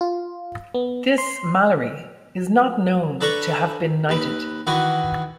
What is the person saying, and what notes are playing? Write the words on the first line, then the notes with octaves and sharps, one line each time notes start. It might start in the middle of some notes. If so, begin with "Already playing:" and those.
This Malory is not known to have been knighted.
F4
B3
C6
D4 A4 B4 A#5 C#6
D#2 B4
D#3 E3 F#4 B4